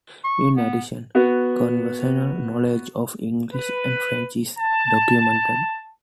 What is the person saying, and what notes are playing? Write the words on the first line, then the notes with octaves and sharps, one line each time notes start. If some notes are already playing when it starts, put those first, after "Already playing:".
In addition, conversational knowledge of English and French is documented.
C#6
B3
B3 F#4
B4
A5